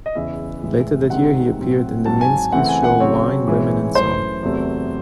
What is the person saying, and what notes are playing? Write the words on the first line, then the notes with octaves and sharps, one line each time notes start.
Later that year, he appeared in the Minsky's show Wine, Women and Song.
D#5
E2 C#3 E3 E5
A2 E3 G#3
C3 D#3 G#3 C4 F#5
A2 F#3 C4
G#2 F#3 C4 A5
G#5
G#5
C#3 E3 A3 C4 F#5
G#5
F#5
C#3 F#3 C4 C#5
G#2 E3 G#3 C4
F#2 E3 A3 C5
E2 C3 F#3 A3 C4